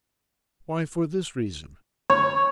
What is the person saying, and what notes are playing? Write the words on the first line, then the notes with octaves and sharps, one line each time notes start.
'Why, for this reason.
C#5